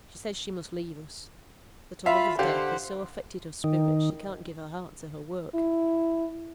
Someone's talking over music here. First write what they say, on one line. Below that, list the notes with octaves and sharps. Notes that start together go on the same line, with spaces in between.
She says she must leave us; that her lover's death has so affected her spirits she can't give her heart to her work.'
F4 E5 F5 B5
D3 G4 C5 F5 F#5
D#3
E4